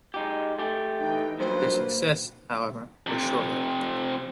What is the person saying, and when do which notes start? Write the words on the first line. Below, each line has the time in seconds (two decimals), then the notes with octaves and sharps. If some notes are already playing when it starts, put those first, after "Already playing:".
Their success, however, was short-lived.
0.14 G#3 D#4 G4
0.59 A3 G4
0.98 E3 D#4 G5
1.40 G2 A#2 F#3 A#3 B4 C5
3.07 F2 C3